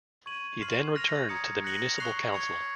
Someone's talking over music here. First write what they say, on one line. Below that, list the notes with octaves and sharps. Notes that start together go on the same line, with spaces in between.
He then returned to the municipal council.
C#6 G#6 D#7 F#7
C6 F6 C7 F#7
F6 A#6 F7
A#5 D#6 G#6 C#7
F#6 A#6 C#7 F#7
C#6 F#6 C7 F7
C#6 G#6 C#7 F7